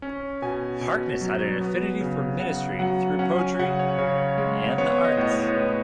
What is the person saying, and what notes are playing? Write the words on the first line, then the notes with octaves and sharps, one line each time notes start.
Harkness had an affinity for ministry through poetry and the arts.
C#4
B2 G#5
B2
F#3
B3
C#3
C#3 F#5
F#3 F#5
C#4 F#5
G#5
C#3 F#5
C#5
C#3 C#5
G#3
B3 C#5
D#5
A2
C#5
A2 B4